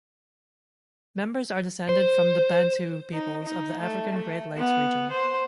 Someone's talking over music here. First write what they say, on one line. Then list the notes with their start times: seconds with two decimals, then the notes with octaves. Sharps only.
Members are descended from the Bantu peoples of the African Great Lakes region.
1.89 C5
3.13 D#4
3.44 D#4
3.82 A3
4.13 A3
4.57 B3
5.11 C5